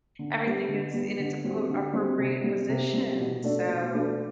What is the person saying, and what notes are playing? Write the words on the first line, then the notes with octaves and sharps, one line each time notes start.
everything is in its apo appropriate position," so,
D3
G3 B3
D3
G3 B3
D3
G3 C4 F#4
D3
G3 C4 F#4
C3
G3 C4
C3
G3 C4
B2
A3 D4 A4 D5
B2
A3 D4 A4 D5